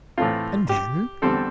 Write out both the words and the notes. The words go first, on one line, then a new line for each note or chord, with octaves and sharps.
"And then?"
A2 E3 A3 C4 F4
G4
E2 D3 G3 C4 A4